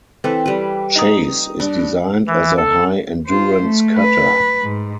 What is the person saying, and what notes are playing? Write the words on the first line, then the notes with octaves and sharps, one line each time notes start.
"Chase" is designed as a high endurance cutter.
E3 C4 A4 B4
G3 B4
D#4 A#5 D#6
G2 D4
E3
A4
F4 C5
A3
B4
G#2